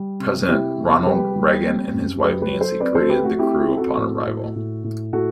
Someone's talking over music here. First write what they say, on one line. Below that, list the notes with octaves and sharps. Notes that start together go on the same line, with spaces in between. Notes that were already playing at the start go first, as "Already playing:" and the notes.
President Ronald Reagan and his wife Nancy greeted the crew upon arrival.
Already playing: G3
C3
C3 E4 G4
C3
G3 G4 B4
G3
C4
F#2
F#3 G4 B4
G4 B4
F#3
A4 C5
C4 B4 D5
A4 C5
A3 G4 B4
F#4
C4 E4 G4
E4 G4
C4
F#4 A4
A2
A2
A2
A2
A2 F#4 A4